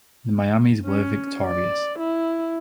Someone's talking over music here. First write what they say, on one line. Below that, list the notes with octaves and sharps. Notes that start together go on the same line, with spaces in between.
The Miamis were victorious.
C#4
D5
E4